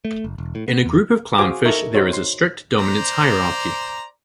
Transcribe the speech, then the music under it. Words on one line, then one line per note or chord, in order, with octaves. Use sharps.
In a group of clownfish, there is a strict dominance hierarchy.
A3
F#1
E1
A2
B3
E2
F#4 G#4 C5 F5 G#5 D6
D#4 A4 A#4 E5 C#6
D#4 F#4 C5 C#5
C6
C5 D5 A#5